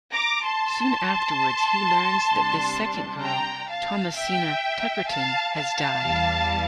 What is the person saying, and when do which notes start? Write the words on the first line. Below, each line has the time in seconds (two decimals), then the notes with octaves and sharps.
Soon afterwards he learns that this second girl, Thomasina Tuckerton, has died.
0.12 A#5 D6
0.44 A5 C6
2.29 C3 G3 D4
3.23 G5 A#5
3.69 F5 A5
4.16 E5 G5
5.09 F5 A5
5.56 F5 A5
6.02 E2 E3 G3